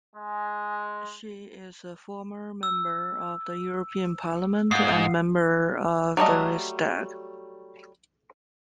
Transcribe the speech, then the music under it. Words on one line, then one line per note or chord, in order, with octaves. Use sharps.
She is a former Member of the European Parliament and Member of the Riksdag.
G#3
E6
G#2 F5 F#5 D#6 C7
F#3 G3 A3 D#5